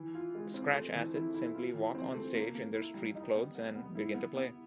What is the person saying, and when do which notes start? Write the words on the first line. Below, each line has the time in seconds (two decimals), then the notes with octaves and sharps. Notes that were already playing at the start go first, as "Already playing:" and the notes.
Scratch Acid simply walk on stage in their street clothes and begin to play.
Already playing: E3
0.14 F4
0.35 G#3
0.54 C4
0.74 A3
0.94 E3
1.15 E4
1.34 E4
1.55 F4
1.74 E3
1.95 C4
2.15 A3
2.35 A#3
2.55 A#3
2.74 E4
2.94 G3
3.15 D#4
3.35 B3
3.55 B3
3.75 B3
3.95 E4
4.14 B3
4.35 B3